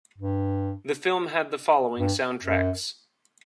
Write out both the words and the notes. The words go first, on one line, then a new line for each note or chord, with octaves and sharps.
The film had the following sound-tracks.
G2
G2
F#2